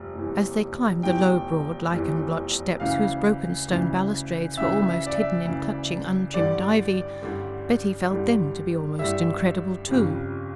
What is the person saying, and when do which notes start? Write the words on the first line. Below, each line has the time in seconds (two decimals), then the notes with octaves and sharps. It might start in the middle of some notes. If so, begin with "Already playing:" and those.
As they climbed the low, broad, lichen-blotched steps, whose broken stone balustrades were almost hidden in clutching, untrimmed ivy, Betty felt them to be almost incredible, too.
Already playing: F1 G3
0.15 F1 E2 E3 G3
1.03 F1 E2 E3 G3 G5
1.91 F1 E2 E3 G3
2.80 D2 C#3 E3 F5
3.68 D2 C#3 E3
4.57 D2 C#3 E3 E5
4.86 E5
5.07 D5
5.16 E5
5.45 D2 C#3 E3
6.33 A1 G2 D3 G3 D5
7.22 A1 G2 D3 G3
8.10 A1 G2 D3 G3
8.99 A1 G2 D3 G3 E5
9.88 G1 F2 C#3 G3